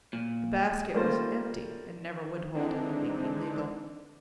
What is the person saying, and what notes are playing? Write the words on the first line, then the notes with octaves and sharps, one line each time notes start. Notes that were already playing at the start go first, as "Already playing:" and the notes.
The basket was empty, and never would hold anything illegal.
A#2
G3 A3 A#3 C#4 F4 C5
D3 E3 G#3 C4 D4 D#4